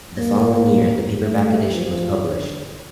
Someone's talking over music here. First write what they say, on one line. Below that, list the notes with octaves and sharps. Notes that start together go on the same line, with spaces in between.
The following year, the paperback edition was published.
A#3
A3
F3
D3